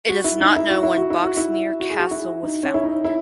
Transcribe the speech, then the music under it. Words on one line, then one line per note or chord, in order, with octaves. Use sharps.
It is not known when Boxmeer Castle was founded.
F#4
E4
D#4
E4
F#4
E4
F#4
E4
F#4
E4
F#4
G#4
F#4
E4
D#4
C#4
E4
D#4
E4